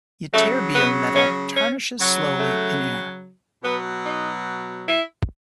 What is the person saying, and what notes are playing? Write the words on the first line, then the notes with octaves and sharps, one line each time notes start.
Ytterbium metal tarnishes slowly in air.
C#3 F#3 A3
B3
C#4
C#4
C#3 F#3
A3
B2 F#3 B3
D#4
E4